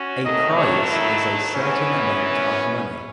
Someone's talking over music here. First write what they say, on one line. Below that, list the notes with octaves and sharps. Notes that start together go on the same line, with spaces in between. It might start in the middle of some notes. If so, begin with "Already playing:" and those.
A prize is a certain amount of money.
Already playing: C#4 F#4
D#2 D#3 F#3 A3 D#5
C#5
E4
F#2 E3 B3 C#4